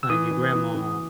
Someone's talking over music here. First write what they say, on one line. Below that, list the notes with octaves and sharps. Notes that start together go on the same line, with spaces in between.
Uh, your grandma
E6
E3 D#6
E3
E3
E3